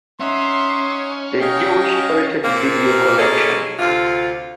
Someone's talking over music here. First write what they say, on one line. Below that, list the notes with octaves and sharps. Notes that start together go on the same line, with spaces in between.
The Jewish Heritage Video Collection.
C#4 D#4 E5 F#5 C6
D#4 F#4 G#4 D#5 F5 G5
A#2 A#3 C4
B2 A#3 C#4 D#4 G#4 A4
D2 C3 F4